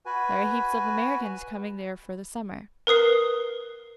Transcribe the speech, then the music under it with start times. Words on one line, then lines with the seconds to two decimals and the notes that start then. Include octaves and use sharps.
There are heaps of Americans come there for the summer.
0.06 F#4 B4 G#5
2.87 A#4 B4 D#6 C7